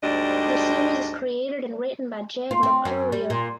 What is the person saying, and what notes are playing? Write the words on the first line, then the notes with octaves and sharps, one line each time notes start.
The series is created and written by Jed Mercurio.
D2 G#2 G3 D4 D#5
F4
C4
F#2
G3
A#2